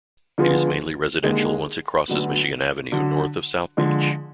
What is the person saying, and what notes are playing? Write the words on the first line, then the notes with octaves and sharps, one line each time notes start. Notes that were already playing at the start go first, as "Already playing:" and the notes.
It is mainly residential once it crosses Michigan Avenue north of South Beach.
D3 F3 B3 F4 G#4
D#2 D3 G#3 D#4 G#4
D2 D3 F#3 B3
D3 F#3 D4
D3 F3 G#3